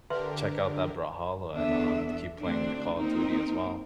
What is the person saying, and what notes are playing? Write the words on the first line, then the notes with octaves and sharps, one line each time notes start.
check out that Brawlhalla and, um, keep playing the Call of Duty as well.
D3 D4 G4 A#4 B4 E5 C6
E2 B3 D4 A4 E5
D2 C4 D4
A#3 C4 D#4 A#4